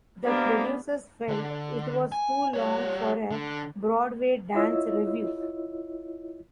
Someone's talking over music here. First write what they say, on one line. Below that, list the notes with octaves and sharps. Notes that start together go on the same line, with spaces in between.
The producers felt it was too long for a Broadway dance review.
C3 A#3 B3 D4
D3
G#5
G3 C#5
D3
E4 F4 C#5 D#5 E6